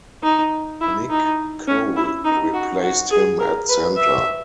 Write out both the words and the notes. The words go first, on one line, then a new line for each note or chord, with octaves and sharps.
Nick Cole replaced him at center.
D#4
E4
D#4
C#4
E4
D#4
F#4
F#4
G#4
A#4
B4
E5